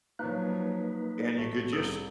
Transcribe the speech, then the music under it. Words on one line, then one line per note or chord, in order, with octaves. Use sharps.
and you could just
F3 F#3 A#3 D#4 B4
A1 A3
C2 G#4 A4